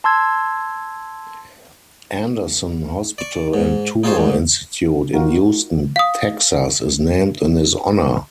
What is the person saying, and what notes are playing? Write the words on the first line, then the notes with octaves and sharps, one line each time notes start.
Anderson Hospital and Tumor Institute in Houston, Texas, is named in his honor.
A5 C6 E6 G#6
D5 C#6
G#2
D#4 F4 G#4 C5 C#5
D2 G#2
D#4 F4 F#4 A#4
F5 D#6